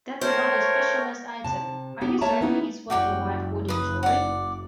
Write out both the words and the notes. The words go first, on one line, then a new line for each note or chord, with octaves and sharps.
That's a rather specialised item, are you certain it's what your wife would enjoy?
A3 A#4 C5 C#5 G5
C3 A5
A#3 B3 G4
A#3 C#5 E5 A5 A#5
B3 C#4 D#4 E4 G4
F#1 F#4 D5 G5
B4 D#6
D5 F#5